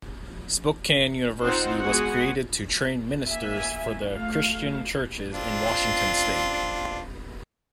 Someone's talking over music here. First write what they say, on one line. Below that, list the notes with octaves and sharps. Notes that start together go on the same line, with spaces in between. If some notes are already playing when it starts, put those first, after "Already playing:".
Spokane University was created to train ministers for the Christian Churches in Washington State.
C4 D#4 F4 C5 F#5
G#3 B3 F#4 G#4 F#5
A#3 E5 G#5
A3 F5
C4 D4 F4